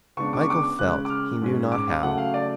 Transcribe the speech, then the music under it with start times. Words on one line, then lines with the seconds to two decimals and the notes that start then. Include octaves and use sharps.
Michael felt he knew not how.
0.17 C#3 G#3 B3 D4 C#6
0.33 D6
0.41 C#6
0.50 D6
0.79 C#3 G#3 C#4 F#6
1.05 D6
1.10 F6
1.42 G#2 G#3 C#4
1.72 D6
1.88 F5
2.03 C#3 F#3 A3 C#4 F#5
2.18 F5
2.34 D5